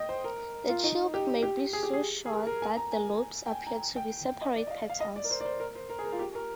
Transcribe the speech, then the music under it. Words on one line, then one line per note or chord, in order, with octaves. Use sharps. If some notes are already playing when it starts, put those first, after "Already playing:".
The tube may be so short that the lobes appear to be separate petals.
Already playing: D#5 G5
C5
A#4
F4
D#4
G4
G4
G#4
G4
G#4
G#4
A#4
A#4
G#5
A#5
G#5
G5
G#5
A#5
G5
G5
D#5
D5
D#5
F5
F5
D#5
D5
A#4
C5
D5
C5
A#4
C5
A#4
G#4
A#4
F4
G4
A#4